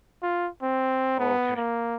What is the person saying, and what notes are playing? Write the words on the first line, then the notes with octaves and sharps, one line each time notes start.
Oh, okay.
F4
C4
B3
A#3